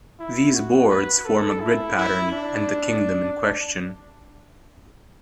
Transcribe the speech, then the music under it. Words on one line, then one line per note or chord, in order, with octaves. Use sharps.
These boards form a grid pattern, and the kingdom in question.
E4
F#4
B4
A4
E4
E4
D4